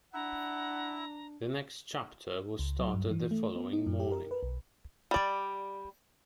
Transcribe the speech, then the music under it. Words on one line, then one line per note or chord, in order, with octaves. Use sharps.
The next chapter was started the following morning.
D4 E4 E5 F#5 A#5
C#2
F#3
G2
E3
A3
B3
D#4
F#2
G4
A#4
B4
B1
G3 D5